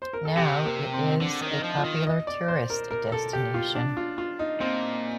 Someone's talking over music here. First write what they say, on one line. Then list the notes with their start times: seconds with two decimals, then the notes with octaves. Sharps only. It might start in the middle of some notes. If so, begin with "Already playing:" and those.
Now it is a popular tourist destination.
0.02 C5
0.13 A#4
0.25 A4
0.37 C3 G4
0.65 A#3
0.94 C4
1.21 D3 D4
1.42 D#3
1.50 D#4
1.64 F3
1.78 F4
1.85 D#3
2.07 D#5
2.27 D5
2.48 C5
2.70 A#4
2.91 A#4
3.12 A4
3.33 G4
3.54 F4
3.75 D4
3.97 F4
4.18 F4
4.39 D#4
4.60 A#2 C4